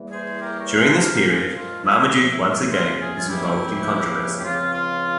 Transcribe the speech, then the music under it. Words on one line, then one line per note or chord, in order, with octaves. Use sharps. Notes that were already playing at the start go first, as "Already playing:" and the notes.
During this period, Marmaduke once again was involved in controversy.
Already playing: E2 E3 G3 A#3
G#4 C5
G4 A#4
A#4 C#5
G#4 C5
A#2 F3 G#3 G4 A#4
G4 A#4
F4 G#4
F4
E4
C#2 C3 F3 A#3 E4
E4
F4
E4
F4
F4 G#4
F4
C#2 C3 F3 A#3 C#4 E4 G4
G4
C#2 C#3 F3 C4 F4
F4